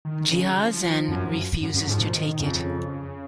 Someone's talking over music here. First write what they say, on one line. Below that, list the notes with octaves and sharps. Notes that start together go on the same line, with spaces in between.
Jiazhen refuses to take it.
D#3
C#3
F3
F#2
F#2
F#2
F#3
G#2 F3
A#2
D#3
D#3
F2 C#3